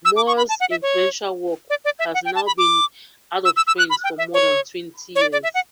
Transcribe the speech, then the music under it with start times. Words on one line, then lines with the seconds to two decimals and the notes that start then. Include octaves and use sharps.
Moore's influential work has now been out-of-print for more than twenty years.
0.05 E6
0.16 D6
0.27 C#6
0.37 B5
0.49 A5
0.60 F#5
0.71 E5
0.82 C#5
1.70 D5
1.85 D5
1.99 E5
2.14 F#5
2.25 G5
2.35 A5
2.47 B5
2.58 D6
3.45 E6
3.56 E6
3.67 E6
3.78 F#6
3.90 B5
4.04 G5
4.18 E5
4.34 C#5
5.15 C#5
5.21 D5
5.32 D5
5.43 E5
5.54 F#5